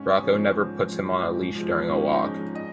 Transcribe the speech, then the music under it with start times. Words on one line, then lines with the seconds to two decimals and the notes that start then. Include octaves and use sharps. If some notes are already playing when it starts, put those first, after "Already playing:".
Rocko never puts him on a leash during a walk.
Already playing: G#2 C#4
0.12 C#4
0.23 F3 G#3
0.34 C4
0.55 G#2
0.89 F3 G#3
1.22 G#2
1.55 F3 G#3
1.88 G#2 C#4
2.11 D#4
2.23 F3 G#3
2.55 D#5